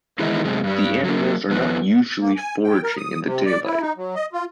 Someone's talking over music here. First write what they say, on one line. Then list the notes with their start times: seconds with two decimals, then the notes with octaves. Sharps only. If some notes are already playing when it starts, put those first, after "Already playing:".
The animals are not usually foraging in the daylight.
0.19 D#3 E3 G#3 B3 D#4 E4
0.45 F#2 C3 G#3
0.64 G2 G3
1.04 F#3 A#3
1.50 F2 B3
2.21 A#3
2.36 G#5
2.64 G5
2.83 A#4
2.98 D#6
3.25 C3
3.46 D5
3.65 E4
3.81 D#4
3.97 F#3
4.15 D#5
4.33 F4